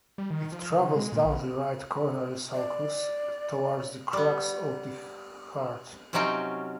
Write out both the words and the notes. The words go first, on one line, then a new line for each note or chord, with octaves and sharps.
It travels down the right coronary sulcus, towards the crux of the heart.
G3
D#3
F3
C#3
C#3
G#3
A#2
A#1
D5
G3 B3
C3 F#3 C#4 D#4 F4 G5